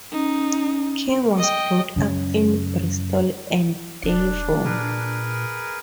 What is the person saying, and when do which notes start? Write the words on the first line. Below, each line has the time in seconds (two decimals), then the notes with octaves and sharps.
King was brought up in Bristol and Devon.
0.12 C#4 D#4
1.38 D#5 G5
1.96 F#2 C#3 C#4
4.03 E1 D4
4.65 A#2 G#4 A#4 B4